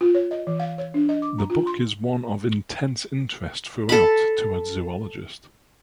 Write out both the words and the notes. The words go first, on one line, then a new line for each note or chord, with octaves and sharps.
The book is one of intense interest throughout to a zoologist.
F4
C#5
D#5
E3
F5
C#5
D4
D#5
D6
A#5
F4
C6
A4 B5